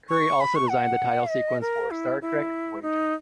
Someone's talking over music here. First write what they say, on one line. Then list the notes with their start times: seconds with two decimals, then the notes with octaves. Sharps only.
Curry also designed the title sequence for "Star Trek Voyager".
0.09 C#6
0.40 B5
0.55 C#6
0.70 F#5
1.31 D#5
1.61 A#4
1.91 E4
2.22 E4
2.82 D#4